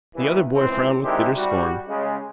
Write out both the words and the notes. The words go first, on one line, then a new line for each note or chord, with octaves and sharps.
The other boy frowned with bitter scorn.
D#2 E3
C#2 E3 C4
D#3 G#3 C4 D4 E4 G4
G3 F#4
C#3 G#3